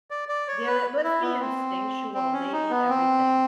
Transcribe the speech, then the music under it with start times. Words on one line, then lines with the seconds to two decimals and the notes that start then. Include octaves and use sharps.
Yeah, it must be instinctual, they eat everything.
0.11 D5
0.29 D5
0.48 C#5
0.67 B4
1.03 E4
1.22 B3
1.40 C4
2.14 C4
2.33 C#4
2.52 D#4
2.70 B3
2.89 C4